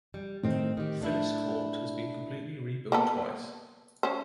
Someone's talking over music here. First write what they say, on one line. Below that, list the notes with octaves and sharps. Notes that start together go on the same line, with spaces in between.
Phyllis Court has been completely rebuilt twice.
G3
A2 D#3 C4
D#3 G4
A3 D4 E4
A#3 B3 A4
C#4 C5